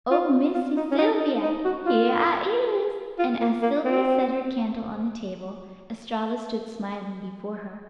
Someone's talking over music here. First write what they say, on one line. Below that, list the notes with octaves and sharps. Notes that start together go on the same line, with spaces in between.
"Oh, Missy Sylvia, here I is," and as Sylvia set her candle on the table, Estralla stood smiling before her.
F4
F4
D#4
C#4
D#4
D#4
D#4
F#4
F4
F4
A#3
A#3
C4